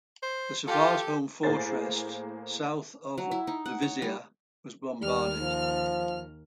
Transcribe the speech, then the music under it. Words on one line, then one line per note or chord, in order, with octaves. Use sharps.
The Svartholm fortress south of Loviisa was bombarded.
C5
F4 G4 A4
A2 A#3 G#4 C5 A6
F#3
E4
D#4
F#5
C#5
G3
D#2 G3 F6
F3